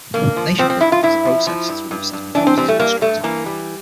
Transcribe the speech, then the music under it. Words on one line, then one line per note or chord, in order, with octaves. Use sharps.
Nation-building is the process through which these majorities are constructed.
G2 A#3
F3
F3 C4
C4
G2 E4
F4
G2 E4
F3
F3
G2
G2
G2
E3 D4
C4
G3 C4
A3
G2 A#3
G2 A3
E3 A#3
G3